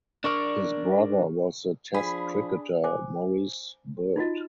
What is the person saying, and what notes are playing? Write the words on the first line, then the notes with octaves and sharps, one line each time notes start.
His brother was the Test cricketer Morice Bird.
D4 A#4 D5 C#6 F6
F3 D4 G#4 B5
C5 G#5 D6
D#4 F4 F#4 D#5